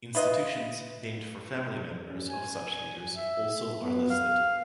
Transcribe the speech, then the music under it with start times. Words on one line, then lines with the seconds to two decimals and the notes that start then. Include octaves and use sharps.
Institutions named for family members of such leaders also are listed.
0.15 E4 F4 B4 D#5
2.07 C#4
2.29 G#5
3.15 E5
3.77 B3
4.10 F5